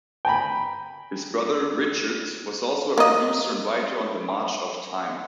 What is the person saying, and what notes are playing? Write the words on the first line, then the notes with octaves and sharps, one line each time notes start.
His brother, Richard, was also a producer and writer on "The March of Time".
G5 G#5 A#5 B5
A#3 D#5